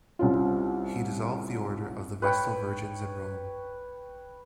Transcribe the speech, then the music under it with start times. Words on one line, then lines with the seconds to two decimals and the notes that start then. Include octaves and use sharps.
He dissolved the order of the Vestal Virgins in Rome.
0.19 C2 C#4 F4
2.22 B4 C#5 G5